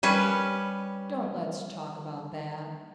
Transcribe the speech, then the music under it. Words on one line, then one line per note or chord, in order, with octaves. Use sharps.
Don't let's talk about that.
G3 C#4 B4